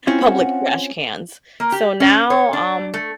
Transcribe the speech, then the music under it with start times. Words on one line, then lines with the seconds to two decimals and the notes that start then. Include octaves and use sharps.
public trash cans. So now, um,
0.07 C4 C#4 E4 F4
0.28 F#5
1.60 A#3
1.72 G4
2.00 C#4
2.30 C#5
2.53 D4
2.94 A3